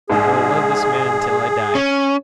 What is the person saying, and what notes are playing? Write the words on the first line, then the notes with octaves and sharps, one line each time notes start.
I will love this man until I die.
A#1 G#2 G#4
C#4